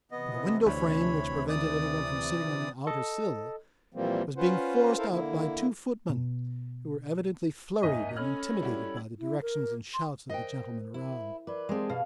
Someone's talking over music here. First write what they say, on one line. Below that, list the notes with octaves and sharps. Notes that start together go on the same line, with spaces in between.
The window frame which prevented anyone from sitting on the outer sill was being forced out by two footmen, who were evidently flurried and intimidated by the directions and shouts of the gentlemen around.
C3 E3 B3 D#5
D2 C#5 B5
D5 D#6
A4 D#5
A#2 E3 F3 G3 A#3 C4
C#4 F4 B4 C5 F#5
E4 A4 A#4 C5 F5
D3 A#3 E4
B2
G#1 D#2 D#5 E5 G#5
C#4 A4 C#5 B5 F6
G3 E4 F#4
E4
A#4
C6
A#4 C5 D#5 G5
E4
A#4 B4 D5 D6
G#3 C4 G4 G#4 A5
B2 F5